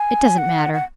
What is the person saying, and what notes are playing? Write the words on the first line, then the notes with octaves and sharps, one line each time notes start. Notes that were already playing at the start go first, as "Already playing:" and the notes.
It doesn't matter.
Already playing: G#5
F#5
F#5